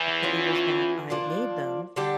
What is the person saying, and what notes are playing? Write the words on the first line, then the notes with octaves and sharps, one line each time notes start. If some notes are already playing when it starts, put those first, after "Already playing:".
a couple years back, I made them,
Already playing: E2 E3
F3 C#4 F4
F3 A#3 D4 F4
D3 G3 D4 G4